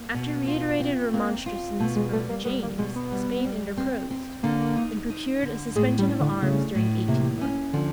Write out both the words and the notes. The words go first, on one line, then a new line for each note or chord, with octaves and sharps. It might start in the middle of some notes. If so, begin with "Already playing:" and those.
After reiterated remonstrances from James, Spain interposed, and procured a suspension of arms during eighteen months.
Already playing: A#3
B2
F4
C4
A#3 C4
F4
B2 A3
G#3
G3 A3
A#3
G3 B3
A#3
B2 G#3
B3
G3
G3
C4
C4
D3 A#3
D#4
D#4
D3
A2 G#3
G3
D4
D3
C#3 A3
A2
C3 A#3
C#4
D3 F3